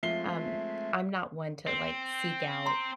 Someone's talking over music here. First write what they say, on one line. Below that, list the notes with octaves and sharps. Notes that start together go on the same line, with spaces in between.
um, I'm not one to, like, seek out
F3 G#3 A3 C4 E5 C7 G7
C4
A#5 C6